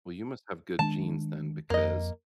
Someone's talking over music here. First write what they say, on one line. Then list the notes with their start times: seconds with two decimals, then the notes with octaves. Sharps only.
Well, you must have good genes then because
0.79 D#3 G#3 D4 A5
1.70 F2 A#3 D#5